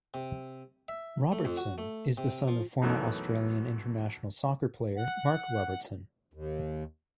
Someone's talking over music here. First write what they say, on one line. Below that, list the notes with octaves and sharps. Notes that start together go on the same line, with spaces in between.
Robertson is the son of former Australian international soccer player Mark Robertson.
C3
E5
A3
F2
F#4
A3
C3
F3
B1 F#2 E3 A3 D#4
F#5
D#2